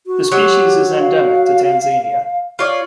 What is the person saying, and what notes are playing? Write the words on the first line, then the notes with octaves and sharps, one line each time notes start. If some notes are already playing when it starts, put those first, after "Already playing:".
The species is endemic to Tanzania.
F#4
F#3 G4
F5
F4 C#5 D5